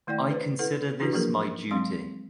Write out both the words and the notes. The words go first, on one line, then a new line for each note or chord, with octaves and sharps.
I consider this my duty.
D#3 A3 E4 D5 G5
B4 C5
E4 A4 B4 F#5
E3 D4 E4 F#4 G4 B4
F3 F#3 A#3 G#4 A#4
F#3 G#3 C4 F5 C6